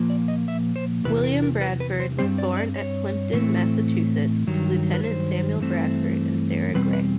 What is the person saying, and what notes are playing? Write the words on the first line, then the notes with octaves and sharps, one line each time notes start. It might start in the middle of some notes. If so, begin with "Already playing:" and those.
William Bradford was born at Plympton, Massachusetts to Lieutenant Samuel Bradford and Sarah Gray.
Already playing: A#2 F3 A#3
D5
D#5
E5
C5
E2 C3 E3 B4
A#4
A#4
B4
B4
C5
G2 D#3 G3 C4 C5
D5
D5
C#5
A2 E3 A3 C4
G2 D#3 F#3
B4
C5
G2 E3 A3 C4
E2 B2 G3 C4 B4
B4